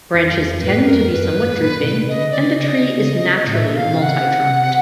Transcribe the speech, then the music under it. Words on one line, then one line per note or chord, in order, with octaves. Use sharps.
Branches tend to be somewhat drooping, and the tree is naturally multitrunked.
F2
F#2
F2
A2 B4
G#2
G2 A#4
F#2
F2
F#2 B4
F#2
G2
G#2
A#2
C3
C#3 D#5
D3
C#3 D5
C#3 D#5
A2
E5
A#2
B2 F5
C3
C#3 F#5
C3